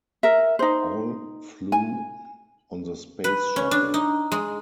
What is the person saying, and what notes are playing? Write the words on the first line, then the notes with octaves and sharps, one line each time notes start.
All flew on the Space Shuttle.
A#4 E5
D#4 C5
G#5
B4
C#4
D4
D#4
G#3